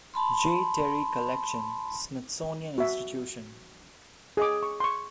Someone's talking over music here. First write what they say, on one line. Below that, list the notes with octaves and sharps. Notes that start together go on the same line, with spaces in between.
J. Terry Collection, Smithsonian Institution.
A5 B5 C6
F#4 E5
G#4 D#5 D6
C#6
C6 C#6